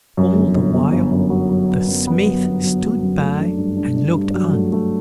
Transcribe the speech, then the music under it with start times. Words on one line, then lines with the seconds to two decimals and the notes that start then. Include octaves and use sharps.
All the while, the Smith stood by and looked on.
0.17 F#2
0.35 G1
0.55 G1
0.74 G1
0.92 G1
1.12 F#2
1.30 F#3
1.49 F#3
1.69 B3
1.87 F#2
2.07 B3
2.26 F#3
2.44 G1
2.63 F#3
2.83 F#3
3.01 F#2
3.20 A3
3.39 D4
3.58 G2
3.77 D4
3.97 D4
4.15 G2
4.34 F#3
4.53 A3
4.72 A3